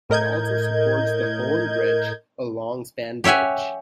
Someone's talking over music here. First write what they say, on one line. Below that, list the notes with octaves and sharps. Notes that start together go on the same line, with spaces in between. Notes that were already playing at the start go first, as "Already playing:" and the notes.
It also supports the Hoan Bridge, a long span bridge.
A2 A#4 D#5 G6 G#6
G4 C#5 E5 F#5 G#5